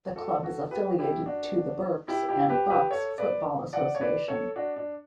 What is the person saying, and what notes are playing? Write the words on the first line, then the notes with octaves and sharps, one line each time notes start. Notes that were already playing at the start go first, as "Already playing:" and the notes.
The club is affiliated to the Berks and Bucks Football Association.
F#4 A4
F#4 A4
G4 B4
E4 G4
D4 F#4
E4 G4
E4 G4
G4 B4
G4 B4
A4 C#5
B4 D5
D5 F#5
C#5
B4 D5
A4 C#5
D4 F#4
D4